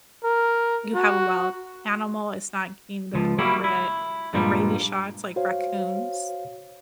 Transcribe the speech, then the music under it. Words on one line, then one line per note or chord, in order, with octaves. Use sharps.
you have a wild animal, it's not getting the appropriate, like rabies shots, like raccoons
A#4
F#4
C#2 F3
F#3 G3 A#3 E4 G4
E4
G2 A#2 F3 G3 G#3
F#4 C5 C#5 F5